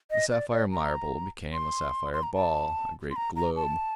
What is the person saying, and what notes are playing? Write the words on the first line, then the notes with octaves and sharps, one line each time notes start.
The sapphire marble became a sapphire ball, a great globe.
D#5
D5
D5
A#5
C6
C6
A#5
A5
C6
A#5
A#5
A5